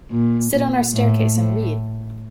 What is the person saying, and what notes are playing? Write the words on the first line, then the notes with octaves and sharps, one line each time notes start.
Sit on our staircase and read.
A#2
A#2
A2
A2